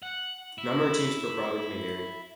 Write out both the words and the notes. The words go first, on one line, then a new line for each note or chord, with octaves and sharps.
Number of teams per province may vary.
F#5
E4